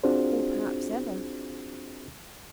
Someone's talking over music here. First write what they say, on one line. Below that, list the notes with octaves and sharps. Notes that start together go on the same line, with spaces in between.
"Or perhaps ever."
C4 D4 F4 F#4 G#4 C5